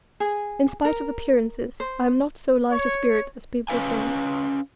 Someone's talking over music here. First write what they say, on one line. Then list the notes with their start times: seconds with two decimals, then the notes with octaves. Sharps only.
In spite of appearances, I am not so light a spirit as people think.
0.20 G#4
0.85 A#4
1.80 C5
2.71 C#5
3.69 C#4 B4 F5 G#5